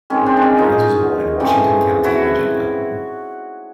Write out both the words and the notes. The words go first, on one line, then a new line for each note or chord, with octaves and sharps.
Jones was born in Washington County, Virginia.
D#3 G#3 C4 C#4
C4 D4
D4
C#4
D#4 F4
C#3 E3 A3 C4
E4 F#4